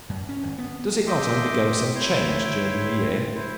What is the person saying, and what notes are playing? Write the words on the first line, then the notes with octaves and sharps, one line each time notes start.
Does it not undergo some change during the year?
F#2
C#4
G#1
B3
D#5 E5 G5 C6 D6
E4 C#5 E5 G5 C6
E4 C5